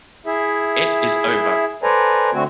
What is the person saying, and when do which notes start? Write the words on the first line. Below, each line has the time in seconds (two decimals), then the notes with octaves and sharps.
It is over.
0.26 E4 G#4 E5
1.83 A4 B4 C5 D5 G#5 A#5
2.33 D3 A3 C4 F#4